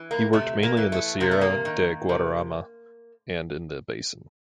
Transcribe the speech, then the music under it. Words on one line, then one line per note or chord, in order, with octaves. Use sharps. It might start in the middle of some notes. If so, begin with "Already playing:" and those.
He worked mainly in the Sierra de Guadarrama and in the basin.
Already playing: E3
A#3
C3 A3
A#3
E3
A3
C3 A#3
A3
A#3
D#3
C3